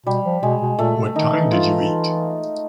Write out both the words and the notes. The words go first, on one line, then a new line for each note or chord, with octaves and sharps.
What time did you eat?
B2 G3
F3
B2 G#3
B2
A#2 A3
B2
D#3 D#4
E3
F4